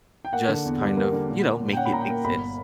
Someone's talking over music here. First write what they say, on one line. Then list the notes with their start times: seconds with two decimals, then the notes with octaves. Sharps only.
just kind of, you know, make it exist.
0.25 G5
0.33 A#3 F#5
0.49 D3
0.65 E2
0.81 G3
0.97 A#3
1.13 D3
1.29 A#2
1.45 A#3
1.60 A#2
1.73 G5
1.77 C#4 F#5
1.85 B5
1.93 A#2 A#5
2.01 G5
2.09 A#3
2.24 G1 B5